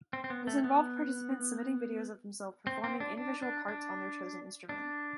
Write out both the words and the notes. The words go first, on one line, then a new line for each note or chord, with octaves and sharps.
This involved participants submitting videos of themselves performing individual parts on their chosen instrument.
C4
C4
B3
A3
B3
C4
C4
D4
D4
D4
D4
D4